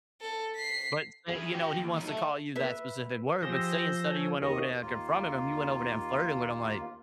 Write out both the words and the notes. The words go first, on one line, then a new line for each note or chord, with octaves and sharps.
But, say, you know, he wants to call you that specific word. But, say, instead of you went over there and confronted him, you went over there and flirted with him, like,
A4
B6 C7
B3 G#4
F#4 G5
D#2
F#3 D#4
A4 E5
B4 E5
F3 G4 G#4 E6 G6 A#6
A4 C#5 G#5
D#2 D#5 C#6 D#6
D#2 A#3 F4